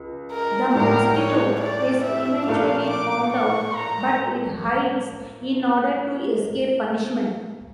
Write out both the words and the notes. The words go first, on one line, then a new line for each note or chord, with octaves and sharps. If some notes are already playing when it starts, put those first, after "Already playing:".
The mosquito is eventually found out, but it hides in order to escape punishment.
Already playing: C#2 C#3
A#4
A2 G3 D4 A#4
C#5
D5
E5
A#2 A3 D4 F5
D6
C#6
A#5